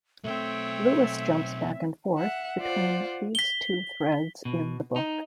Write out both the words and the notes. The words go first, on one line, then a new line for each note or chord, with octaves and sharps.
Lewis jumps back and forth between these two threads in the book.
B1 A3 C4 C#5 E5 G5
E5 F#5
F4 C5 D5 F#5
B6 G7
B2
D#4